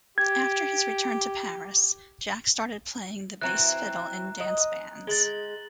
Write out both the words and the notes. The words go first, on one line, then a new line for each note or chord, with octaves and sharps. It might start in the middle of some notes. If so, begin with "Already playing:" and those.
After his return to Paris, Jack started playing the bass fiddle in dance bands.
G4 G#6
E3 C4 F#4 A#5 F#6
D#5
G#3 A6 F#7 G7